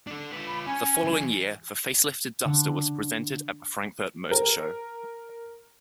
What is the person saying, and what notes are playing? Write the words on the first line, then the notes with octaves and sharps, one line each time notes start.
The following year, the facelifted Duster was presented at the Frankfurt Motor Show.
D4 A4
F4 B4
B5
C#4 G#5
E3 F#3 G#5
D3
A#4